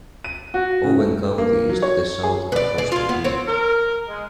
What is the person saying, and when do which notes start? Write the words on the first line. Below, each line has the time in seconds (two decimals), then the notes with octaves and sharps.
Owen County is to the south across the creek.
0.24 D#7
0.54 F#4
0.84 C#3
0.99 A3
1.38 A#3
1.69 F#3
1.82 C#5
2.23 G#4
2.52 B4 D5
2.78 G#4 D5
2.92 F4 G#4
3.09 B3
3.24 C4 C#5
3.47 A#4
4.08 G#3